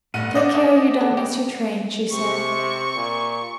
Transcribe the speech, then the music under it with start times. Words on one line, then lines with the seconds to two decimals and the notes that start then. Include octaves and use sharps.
"Take care you don't miss your train," she said.
0.14 G1 A2 F#5 D#7
0.35 C5 D5 D#5 F#5
0.54 A3 C#4 G5
1.01 G#4 A4
1.17 G3 C#4 G4
2.12 C3 C#6
2.96 A#2